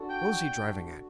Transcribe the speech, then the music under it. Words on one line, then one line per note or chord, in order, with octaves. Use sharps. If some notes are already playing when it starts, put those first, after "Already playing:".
What was he driving at?
Already playing: D4 F#4 A4
G5